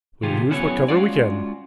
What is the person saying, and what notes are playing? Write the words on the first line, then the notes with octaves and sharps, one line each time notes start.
"We'll use what cover we can."
A2 C3 D#3 F4 G4 G#4
F#3 B3 C#4 E4 G#4 C#5
G#3 C#4 F4 F#4 D5